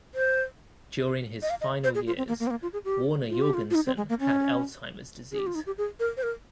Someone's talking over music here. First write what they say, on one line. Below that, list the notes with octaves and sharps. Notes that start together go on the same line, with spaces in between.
During his final years, Warner Jorgenson had Alzheimer's disease.
C5
D#5
F5
D#5
C5
G#4
F4
C4
A#3
A#3
C4
A#3
F4
G#4
G4
F4
G4
F4
F4
D#4
C4
G#3
A#3
C#4
G#4
G4
F4
D#4
G4
G#4
A#4
C5
A#4